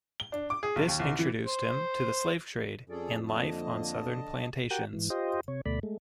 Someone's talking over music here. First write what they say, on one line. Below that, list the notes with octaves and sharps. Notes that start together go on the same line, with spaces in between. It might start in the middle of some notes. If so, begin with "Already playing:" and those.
This introduced him to the slave trade and life on southern plantations.
G7
D4
D6
G#4
B1
D#2
C2
E3
C5
F2 C#4 G#4 A4 D5
D3 F3 A#3 D#5 A5
F#4 G4 A#4 F#5 G5
G#2 E3
F4 G4 C5 D#5
C3 C#5
D2 B2 A3 D5 B5
G#3 A3